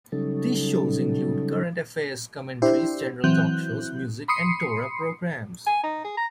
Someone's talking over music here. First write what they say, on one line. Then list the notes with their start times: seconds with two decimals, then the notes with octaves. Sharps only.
These shows include current affairs commentaries, general talk shows, music, and Torah programs.
0.12 C#3 F#3 G3 C#4 D#4 A4
2.62 D4 E4 G4 C5
3.24 E3 F#3 C4 F#6 G6
4.28 B5 C6 D#6 C7 C#7
5.66 G#5
5.83 D#4
6.04 G#4
6.17 A#5